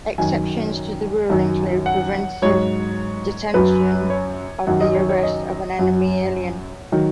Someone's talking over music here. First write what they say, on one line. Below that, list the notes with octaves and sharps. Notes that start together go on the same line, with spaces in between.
Exceptions to this rule include preventive detention and the arrest of an enemy alien.
F#2 D#3 F#3 G#5
F#2 D#3 F#3
F#5
G#2 F#3 C#5
F#2 F#3 B4
C#5
F#2 D#3 F#3 F#5
D#5
C#5
C#5
D#5
F#2 F#3 F#5
D#3 F#3